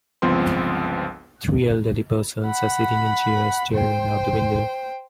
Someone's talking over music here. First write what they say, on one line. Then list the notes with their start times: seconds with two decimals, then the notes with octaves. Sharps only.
Three elderly persons are sitting in chairs staring out the window.
0.22 G1 C#2 F3 B3 C4 C6
2.45 F#5 B5
3.72 C5 G5